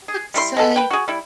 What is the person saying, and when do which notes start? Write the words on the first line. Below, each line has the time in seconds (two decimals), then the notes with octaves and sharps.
I would say,
0.08 G#4
0.34 G3 E4 C6
0.57 G#3 A4
0.76 B4 G5
0.91 F#4 G#4
1.08 G3 E4